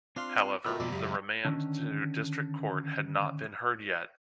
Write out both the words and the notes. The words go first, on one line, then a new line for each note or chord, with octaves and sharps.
However, the remand to District Court had not been heard yet.
C4 D4 F4 F5 C6
B2 D#3 A3 F4 A#5 B5 E6
F2 B2 D5
C#2 F#2 G4
D3 D#3 C#4